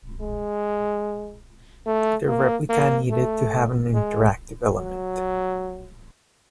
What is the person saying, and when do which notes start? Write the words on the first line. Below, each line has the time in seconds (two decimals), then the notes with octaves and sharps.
The replica needed to have an interactive element.
0.21 G#3
1.87 A3
2.28 A#3
2.70 A#3
3.11 A3
3.94 G#3
4.76 F#3